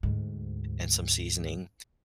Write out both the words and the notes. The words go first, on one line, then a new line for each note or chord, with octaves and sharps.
and some seasoning,
D2 G#2